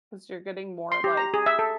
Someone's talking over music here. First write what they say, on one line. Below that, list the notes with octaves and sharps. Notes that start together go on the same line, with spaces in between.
'Cause you're getting more like,
C6
G4
A#5
G#4
E5
A4